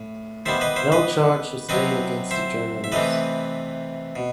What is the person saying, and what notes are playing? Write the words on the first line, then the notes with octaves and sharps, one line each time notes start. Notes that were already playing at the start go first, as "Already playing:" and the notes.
No charge was laid against the journalist.
Already playing: A2
D#3 G3 B3 C5 E5
B4 D#5
C5 E5
B4 D#5
C3 F#3 C4 B4 D#5
C5 E5
E5
C3 E3 A3 C4 B4 D#5
B2